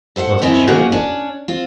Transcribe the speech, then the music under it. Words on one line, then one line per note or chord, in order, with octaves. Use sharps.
Most assuredly.
A4 C5 F5 F#5
F#2 D#3 C4 C#4 E4
A#3 C#4 D#4 F#4 G#4
C#4 D4
C4 F4